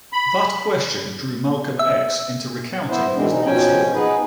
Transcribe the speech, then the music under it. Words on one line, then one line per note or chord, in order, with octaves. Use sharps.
That question drew Malcolm X into recounting his life story.
B5
E5
B3 E4 C5
B2 D#3 E3 G#3 C4 D4
D#4
B2 F3 C#4 G5 G#5
B3 D#4 G#4 B4